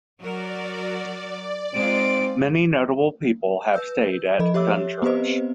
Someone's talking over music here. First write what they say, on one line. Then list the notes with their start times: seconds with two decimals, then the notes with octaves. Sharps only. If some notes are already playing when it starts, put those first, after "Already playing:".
Many notable people have stayed at Dunchurch.
0.21 F#3 F#4 A#4 D5
1.74 G#3 C4 D#4 F4 D7
3.73 B4 E6 G6
4.39 F3 A4 D#5 B5
4.54 G4 C#5 E5 D6 E6
5.02 B3 C4 G4 B4 C5 D#5